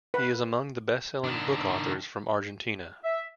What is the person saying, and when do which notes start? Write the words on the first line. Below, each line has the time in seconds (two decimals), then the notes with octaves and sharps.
He is among the best selling book authors from Argentina.
0.14 B4
1.24 D#3 D4
3.04 E5